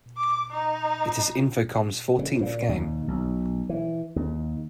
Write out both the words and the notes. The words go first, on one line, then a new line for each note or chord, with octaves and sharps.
It is Infocom's fourteenth game.
D6
D#4
C#3
A#2
D#2
B1
E3
D#2